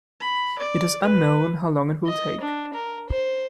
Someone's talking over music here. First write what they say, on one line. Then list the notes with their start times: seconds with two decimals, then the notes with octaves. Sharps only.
It is unknown how long it will take.
0.20 B5
0.59 D5
1.02 B4
2.07 D#5
2.41 D4
2.74 A#4
3.09 C5